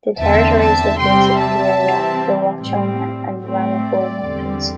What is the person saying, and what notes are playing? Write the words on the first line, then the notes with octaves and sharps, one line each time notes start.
The territory is located in the area of the Watchung and Ramapo Mountains.
E2 D3 C4 E5 A5
E5 A5
C3 G3 C4 G5 C6
E5 A5
C3 E3 G3 C4
A2 G3 C4
A2 A3 C4
D5
E2 D3 G3 C4